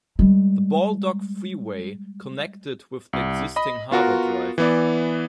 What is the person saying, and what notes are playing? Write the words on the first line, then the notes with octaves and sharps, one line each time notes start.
The Baldock Freeway connected with the existing Harbor Drive.
G3 G#3
C2
D#5 B5 D#6
B3 F4 F#4 A#4
E3 B3 D5